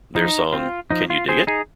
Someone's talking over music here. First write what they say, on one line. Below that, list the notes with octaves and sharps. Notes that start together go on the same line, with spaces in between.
Their song Can You Dig It?
F3 D#4
C4 F4
F3 D#4
F4
C4 G#4 C5
D#4 G#4